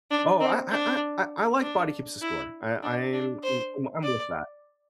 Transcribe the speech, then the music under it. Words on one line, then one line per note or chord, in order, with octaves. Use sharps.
Oh, I I I I I like Body Keeps the Score. I I'm I'm I'm with that.
D4
C4
D4
D4
E4
D4
D4
C5
D5